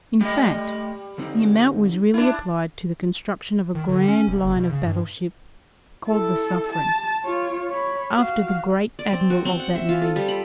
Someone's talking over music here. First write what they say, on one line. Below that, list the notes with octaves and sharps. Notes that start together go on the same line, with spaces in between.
In fact, the amount was really applied to the construction of a grand line-of-battle ship called the Suffren, after the great Admiral of that name.
G3 A3 D#5
D3 C4 D#4
D4 E4
D#3
D3
C#4
E1
F#1
B2
C#3
G2
E4 A4
A5
F4 C#5
C#5 B5
F#4 F5
D5
C4
F#4
C4
F#5
E5
F4
A4
G3
B5